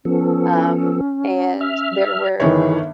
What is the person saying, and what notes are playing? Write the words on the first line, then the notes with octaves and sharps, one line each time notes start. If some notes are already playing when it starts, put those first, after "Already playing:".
um, and there were
F3 B3 C#4 A4
E5 F6
G1 D#3 E3 G#4 C#5